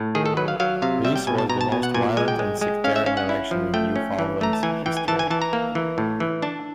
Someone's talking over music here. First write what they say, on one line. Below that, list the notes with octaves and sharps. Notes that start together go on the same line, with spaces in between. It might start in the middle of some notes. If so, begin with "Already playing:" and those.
This was the most violent and sectarian election in Newfoundland's history.
Already playing: A2
D#3 G#4
A4
F#3 B4
F5
F#3 F5
C3 F5
G3 E5
G5
B2 G#5
A5
B2 A#5
A5
B2 G#5
F#5
A#2 G#5
G#3 G#5
G5
G#3
G#3
C#4 F5
E5
C#4 F5
F#5
E4
F3
A3 G5
C#4
E3
A3 A#5
A5
E3 G#5
E3 G5
G#5
E3 A5
G#5
E3 A5
A#5
A#3
E3
A2
E3
D4 A5